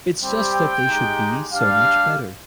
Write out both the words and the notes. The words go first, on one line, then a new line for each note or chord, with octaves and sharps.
It's just that they should be so much better.
G3 C4 G4
G5
G#3 D#4 G4
G3 D4 G4 F5